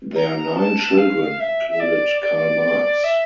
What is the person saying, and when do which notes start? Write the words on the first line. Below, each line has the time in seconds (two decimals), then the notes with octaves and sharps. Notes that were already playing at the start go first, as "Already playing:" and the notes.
Their nine children included Karl Marx.
0.16 A#5
0.57 A5
0.98 F5
1.40 E5
1.70 E5
1.80 D5
2.21 D5
3.04 E5